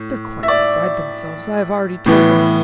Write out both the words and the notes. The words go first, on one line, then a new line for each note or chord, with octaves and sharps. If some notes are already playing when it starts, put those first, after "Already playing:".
"They're quite beside themselves; I have already told them..."
Already playing: A2
E5
D5
A2 E3 B3